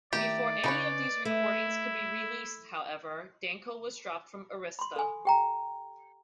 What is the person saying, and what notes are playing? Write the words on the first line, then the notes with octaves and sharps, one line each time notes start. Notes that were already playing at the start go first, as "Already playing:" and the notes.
Before any of these recordings could be released, however, Danko was dropped from Arista.
D#3 A3 G4 D5
C#3 D#4 B4 C#5
A3 E4
B5 C6
A4 G#5
G4 G5 A#5